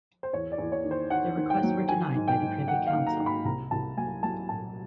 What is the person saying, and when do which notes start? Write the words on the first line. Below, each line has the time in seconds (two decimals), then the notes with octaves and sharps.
Their requests were denied by the Privy Council.
0.23 C5
0.33 E2 C#5
0.52 D5
0.58 E2
0.72 C#5
0.84 D#3
0.91 C5
1.10 D#3 F#5
1.36 D#3
1.50 G5
1.63 F#3
1.89 D#3 G#5
2.15 G#2
2.28 G5
2.41 G#2
2.67 D#3 F#5
2.87 F5
2.93 D#3
3.07 A#5
3.19 G#2
3.26 B5
3.45 C2 A#5
3.71 C2 A5
3.97 F#3 G#5
4.23 F#3 A5
4.49 A#2 A5